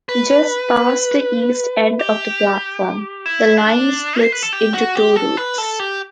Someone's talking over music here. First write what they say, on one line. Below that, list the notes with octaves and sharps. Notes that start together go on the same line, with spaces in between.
Just past the east end of the platform, the line splits into two routes.
B4
G4
E4
D4
C5
B4
A4
G4
F#4
G4
A4
B4
A4
G4